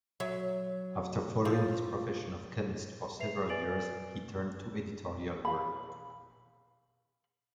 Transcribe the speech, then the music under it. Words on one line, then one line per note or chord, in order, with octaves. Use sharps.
After following his profession of chemist for several years, he turned to editorial work.
F#3 E5
F3
B4 E5 C7 F7
B4 D5 G#5 A6 D7 F#7
F5 B5